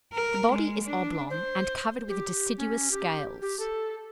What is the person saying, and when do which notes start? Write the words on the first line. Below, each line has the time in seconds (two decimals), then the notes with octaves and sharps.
The body is oblong, and covered with deciduous scales.
0.13 A#4
0.53 G#3
0.85 D4
1.30 C5
2.08 G4
2.58 C#4
2.91 G4
3.42 G4
3.59 A4